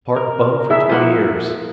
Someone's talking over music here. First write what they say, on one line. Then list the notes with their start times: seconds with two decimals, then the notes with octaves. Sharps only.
Park bum for twenty years.
0.17 A#4
0.70 E4 G#4 E5
0.89 F3 A#3 F#5